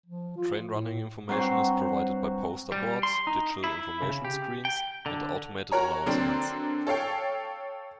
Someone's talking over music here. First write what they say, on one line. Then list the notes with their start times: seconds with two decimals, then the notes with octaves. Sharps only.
Train running information is provided by poster boards, digital information screens and automated announcements.
0.06 F3
0.36 F4
0.65 A2
1.29 G2 F#3 C4 F#4 C5
2.72 G3
3.03 C6
3.27 D#4
3.64 E4
4.02 C#3
4.25 G4
4.65 G5
5.06 D3
5.72 F#4 A#4 C#5 A#5
6.06 D3 F#3 A#3 C4 D4
6.87 A4 C#5 F5 G5